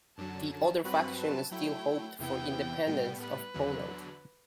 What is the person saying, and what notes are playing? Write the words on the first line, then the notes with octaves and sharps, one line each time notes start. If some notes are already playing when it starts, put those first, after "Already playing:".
The other faction still hoped for independence of Poland.
F#2 D3 F#3 A5
A5
G2 F#3 C4 F#4 B4 B5
A5
F#3 A3 E4 G5
E2 C3 E3 B3 E4 G5
A2 G3 B3
B4
E2 D3 F#3